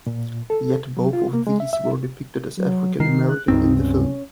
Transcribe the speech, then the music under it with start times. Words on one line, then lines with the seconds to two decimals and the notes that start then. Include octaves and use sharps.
Yet both of these were depicted as African American in the film.
0.07 A#2
0.50 A4
0.97 F#3
1.13 F4
1.33 A#3
1.47 G#3
1.60 E5
1.73 E5
2.57 F#3
3.00 D#3 C7
3.29 F#6
3.48 C#2 G2 C4 D#4
3.77 C#4